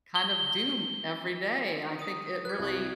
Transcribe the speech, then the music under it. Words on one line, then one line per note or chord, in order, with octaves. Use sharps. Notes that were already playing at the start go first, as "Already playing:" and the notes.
kind of do every day, and I think it really
G7
D#6 D#7
B4 F#6 G#6
C2 C#6